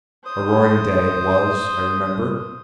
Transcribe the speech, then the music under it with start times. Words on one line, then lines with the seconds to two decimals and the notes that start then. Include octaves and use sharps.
A roaring day it was, I remember....
0.24 C5 D#6